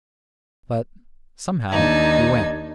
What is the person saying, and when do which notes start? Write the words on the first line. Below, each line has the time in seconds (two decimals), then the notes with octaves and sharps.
But, somehow, he went.
1.70 D#2 D4 D#4 G#6